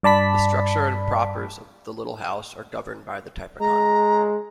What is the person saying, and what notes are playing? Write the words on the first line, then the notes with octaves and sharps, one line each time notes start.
The structure and propers of the Little Hours are governed by the Typicon.
G2 D5 A5 B5 B6
G#3 A#5